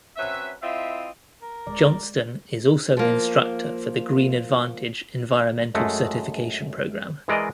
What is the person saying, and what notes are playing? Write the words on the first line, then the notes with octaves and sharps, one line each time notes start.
Johnston is also an instructor for the Green Advantage Environmental Certification Program.
F#3 C4 C#4 B4 E5
C4 E4 F4 D#5 E5
A#4
D#1 G#3 D5
F3 A#3
F#2 G#3 A3
E3 G#3 A#4 D5 D#5